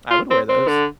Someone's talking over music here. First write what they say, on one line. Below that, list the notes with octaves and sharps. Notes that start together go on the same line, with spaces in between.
I would wear those.
F4
C4
C4
D3